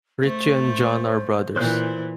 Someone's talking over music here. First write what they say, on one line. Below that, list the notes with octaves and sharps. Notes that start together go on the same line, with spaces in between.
Richie and John are brothers.
A3 C5
A#2 E3 C5 F#6 G6